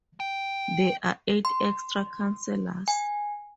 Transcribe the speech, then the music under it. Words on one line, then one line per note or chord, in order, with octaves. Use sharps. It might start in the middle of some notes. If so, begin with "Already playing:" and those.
There are eight extra councillors.
G5
C6
G#5